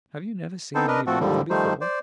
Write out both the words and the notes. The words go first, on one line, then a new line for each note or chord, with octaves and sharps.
"Have you never seen any like them before?"
B3 C4 D#4 A4 C5
D4 A#4 B4 D#5
F3 A3 C4 F#4 A4
D#2 G#2 D3 F3 G3
D#3 F3 G3 A3 D#4 C5
C5 D5